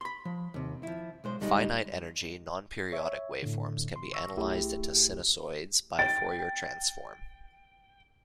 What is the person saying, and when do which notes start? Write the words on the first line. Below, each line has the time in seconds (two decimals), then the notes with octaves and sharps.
Finite-energy non-periodic waveforms can be analyzed into sinusoids by the Fourier transform.
0.01 B5 C6
0.25 F3
0.54 D#2 C3
0.83 F3 E4
1.24 B1 G#3 C5
1.41 D2 G3 G#3 D#4
2.92 C#5 E5
3.43 A2 D3
3.96 C6
4.13 C#6 E6 A#6
4.37 B1 A3 E4 G4 G#4
5.99 G5 A6